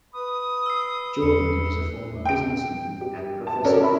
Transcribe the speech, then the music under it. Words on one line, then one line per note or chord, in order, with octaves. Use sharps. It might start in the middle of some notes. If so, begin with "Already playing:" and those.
Jordan is a former businessman and professor.
B4 D#6
E6 C7
E2 C#7
G5 D7
G4
A5
C#4 F#4 A4 A#4 D5
E4 A#4 E5 B5